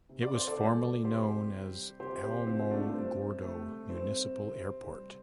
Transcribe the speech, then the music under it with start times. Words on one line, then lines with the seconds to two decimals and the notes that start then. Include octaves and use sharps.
It was formerly known as Alamogordo Municipal Airport.
0.09 C3
0.22 D5
0.35 C5
0.47 A4 D5
0.57 G3
1.04 C3 G4 C5
1.52 G3
2.00 C3 G4 C5
2.23 G4 C5
2.47 C3 C4 F4
2.71 A3 D4
2.89 A3
2.94 G3 C4
3.42 C3 A3
3.89 G3 C4
4.37 C3
4.84 G3